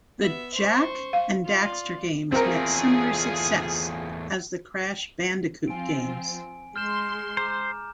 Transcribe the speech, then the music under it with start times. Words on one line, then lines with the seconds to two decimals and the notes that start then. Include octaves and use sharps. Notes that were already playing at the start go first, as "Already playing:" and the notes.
The "Jak and Daxter" games met similar success as the "Crash Bandicoot" games.
0.19 B3 E5
0.54 C5 C#6
1.13 F5
1.45 F4 D5
2.32 E2 A3 A#3 C4 F4 G#4 A#4
5.68 F3 C4 F4 G#5 D7
6.76 G#3 C6 F6 G6 E7
7.37 C5 A#5 D6